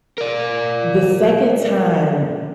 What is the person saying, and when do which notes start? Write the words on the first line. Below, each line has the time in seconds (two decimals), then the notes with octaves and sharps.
the second time
0.18 A#4 D5